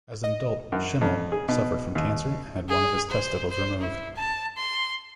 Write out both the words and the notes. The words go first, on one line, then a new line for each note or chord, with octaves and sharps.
As an adult, Schimmel suffered from cancer and had one of his testicles removed.
D#5
F#2
F2
G#4
B2
D#2
G#4
C5
C5
E4
A5
C6